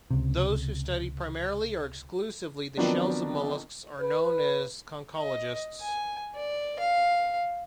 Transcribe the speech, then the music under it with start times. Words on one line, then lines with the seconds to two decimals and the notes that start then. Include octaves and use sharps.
Those who study primarily or exclusively the shells of mollusks are known as conchologists.
0.11 C#2 C3
2.77 D#3 F3 F#3 B3 C4 D4
4.00 B4
5.18 D#5
5.81 G#5
6.35 D5
6.79 F5